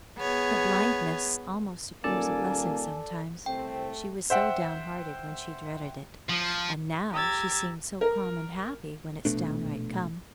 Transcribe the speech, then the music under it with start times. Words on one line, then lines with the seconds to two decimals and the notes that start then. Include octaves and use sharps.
Her blindness almost appears a blessing sometimes; she was so downhearted when she dreaded it, and now she seems so calm and happy when it's downright come.
0.18 B3 G#4 C#5
2.04 D#1 A#3 A4 D5 G#5 A5
3.46 C2 A3 C4 G5
4.30 C5 E5 F#5 G5
6.29 F3
7.12 G4 A#5 E6 G#6 A6
8.01 A#4
9.25 A#1 B2 A3 D4